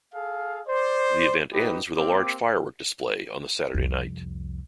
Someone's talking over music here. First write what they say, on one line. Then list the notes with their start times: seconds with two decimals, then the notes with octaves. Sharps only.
The event ends with a large firework display on the Saturday night.
0.13 G#4 A4 F5
0.67 C5 D5
1.53 D#4 G4 B4
1.96 A#3 C4 G4 D6
3.74 C2 F2